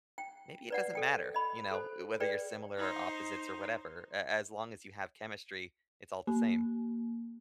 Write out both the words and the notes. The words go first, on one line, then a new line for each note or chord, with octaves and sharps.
maybe it doesn't matter, you know, eh whether you're similar or opposites or whatever. A as long as you have chemistry, it's all the same.
G5
B4 D5 F#5
A4 G5
D#5 B5
A4 C5
G#4 B4 D5 G5
D#4 C5
A#3